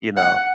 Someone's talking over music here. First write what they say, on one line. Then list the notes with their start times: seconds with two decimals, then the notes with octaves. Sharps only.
you know?
0.17 F#5